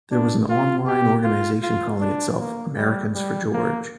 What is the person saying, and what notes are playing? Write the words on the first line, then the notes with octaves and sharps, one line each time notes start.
There was an online organization calling itself Americans for George.
D4
F4
G4
F4
F4
D4
A#3
G3
G3
A#3